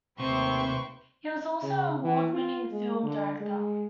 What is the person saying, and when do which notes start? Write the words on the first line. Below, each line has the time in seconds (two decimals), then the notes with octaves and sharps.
He was also an award-winning film director.
0.20 D#2 C3 A3 C4 B4 C5 C#6
1.62 C#3
2.04 E3
2.34 F4
2.72 G#3
3.03 D3
3.40 G#3